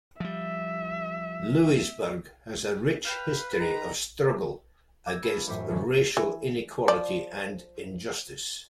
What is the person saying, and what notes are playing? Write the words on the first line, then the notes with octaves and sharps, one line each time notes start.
Louisburg has a rich history of struggle against racial inequality and injustice.
F3 G3 E5
B4 F5 G5
D#3 A#5
D6 E6 G6 G#6 A#6
D4 F4 G#4 A4 B4
E1 F#2 A2 C5 D6 B6
D3 E3 F#3 G#3 C#4
E3
F3 D5